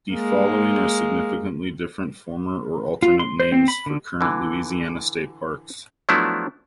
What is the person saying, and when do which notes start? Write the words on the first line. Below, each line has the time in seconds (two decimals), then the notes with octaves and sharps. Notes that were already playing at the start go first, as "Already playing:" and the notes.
The following are significantly different former or alternate names for current Louisiana state parks.
0.12 G#3 A#3
3.03 F4
3.19 C6
3.40 C5
3.52 C4
3.68 B5
3.86 D3
4.21 D3 E3
6.09 F3 F#3 A3 B3 D4 E4